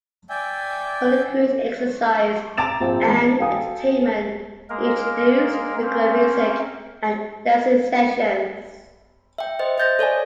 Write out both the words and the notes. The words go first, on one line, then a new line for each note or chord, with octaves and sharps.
For the crew's exercise and entertainment, he introduced regular music and dancing sessions.
D5 E5 G5 G#5
A5 A#5 D6 A6 E7 F7
A#1 C4 F4 G5
E3 G#3 A5
F#4 A4 F5 G5 G#5 D#6
G#3 A#3 A#4
A#3 C4 C#4
E5 G5
C5 D#5 E5
C5 D#5 G6 A6 A#6
A4 C#5 D5 G#5